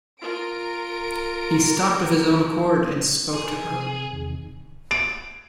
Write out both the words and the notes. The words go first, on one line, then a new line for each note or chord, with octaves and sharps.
He stopped of his own accord and spoke to her.
F4 A#4 A#5 D7
D#4 G#4 A#4
C3
E2 C3 D#3
D7